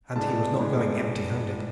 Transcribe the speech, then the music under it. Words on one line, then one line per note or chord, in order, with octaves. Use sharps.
And he was not going empty-handed.
A2 G#3 B3 D4 A5
A2 G#3 B3 D4